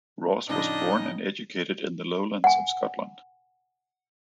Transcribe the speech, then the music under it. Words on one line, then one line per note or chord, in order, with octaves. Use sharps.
Ross was born and educated in the lowlands of Scotland.
A2 C#3 F3 D4 D#4 D#5 A#6
F#5 G#5